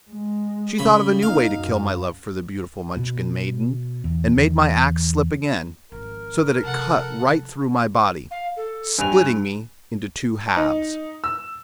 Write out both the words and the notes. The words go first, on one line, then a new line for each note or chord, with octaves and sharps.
She thought of a new way to kill my love for the beautiful Munchkin maiden, and made my axe slip again, so that it cut right through my body, splitting me into two halves.
G#3
C#3 B5
A#3 D#4 F5
F#2
B2
E2
E2
G#1 F3 A#4
C3 F3 A4 F#5
F5
A4
G2 G#5 F7
D#4
E6